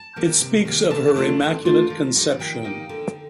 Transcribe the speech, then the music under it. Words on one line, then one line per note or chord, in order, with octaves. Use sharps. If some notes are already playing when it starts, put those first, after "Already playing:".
It speaks of her immaculate conception.
Already playing: A5
D#3 G3 A#3
C3
D#3 G3 A#3
D3 A5
A3 D4 F4
D3
A3 D4 F4
D#3
G3 A#3 D#4
D#3 G5
G3 A#3 D#4
D3